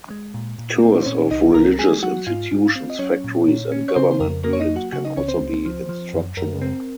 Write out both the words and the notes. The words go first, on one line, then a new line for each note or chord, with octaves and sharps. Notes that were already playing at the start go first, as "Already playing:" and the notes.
Tours of religious institutions, factories, and government buildings can also be instructional.
G#3
A#2
A#2
C4
C5
A#2 C#4 C#5
C2 D#4 D#5
C2 A#4 A#5
G#3 G#4 G#5
F#3 F#4 F#5
G#2 F4 F5
G#2
C4
D#5
F#3 C#4 C#5
A#2
A#2
C#4
C#5
C#3 C4 C5
C5
F2 A#4
A#3 A#4
C#5
D#4 D#5
F#3
F#4 F#5
C#3 F#4 F#5
D#4 D#5
C#2 C#4 C#5
C4 C5
C#2
F3
F3
F#2
F#2 A#4
C4